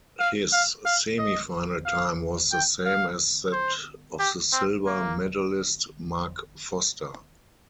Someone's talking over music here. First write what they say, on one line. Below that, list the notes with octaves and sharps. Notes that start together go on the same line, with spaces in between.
His semifinal time was the same as that of the silver medalist Mark Foster.
F5
F5
F5
D#5
F5
G5
F5
C5
G4
C4
A#3